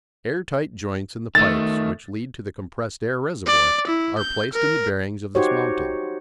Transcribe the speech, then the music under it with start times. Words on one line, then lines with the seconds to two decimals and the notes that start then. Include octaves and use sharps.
Air-tight joints in the pipes which lead to the compressed air reservoir are placed in the bearings of this mounting.
1.35 D#3 A3 A6
3.46 D5
3.87 E4
4.18 G6
4.53 A#4
5.35 D#4 F#4 G4 C5 C#5